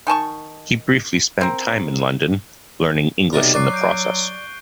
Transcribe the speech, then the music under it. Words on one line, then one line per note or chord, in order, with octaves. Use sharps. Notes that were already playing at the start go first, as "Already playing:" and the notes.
He briefly spent time in London, learning English in the process.
D#3 G#5 A5 C#6
C4 A#4
B1 C3 A#4 D5
F#3 D5 C#6 F#6 C7
G6 D7
G7